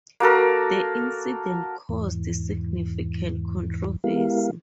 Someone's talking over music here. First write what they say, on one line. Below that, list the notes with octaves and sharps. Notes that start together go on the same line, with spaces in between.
The incident caused significant controversy.
A#3 F#4 A4 A#4
E2 G#2 E3
G#3 B3 E4 G4 A#4 F5